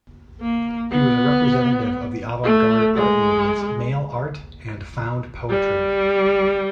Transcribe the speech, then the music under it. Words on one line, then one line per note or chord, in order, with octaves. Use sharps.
He was a representative of the avant-garde art movements Mail Art and Found Poetry.
A#3
B3
A3
G#3
G3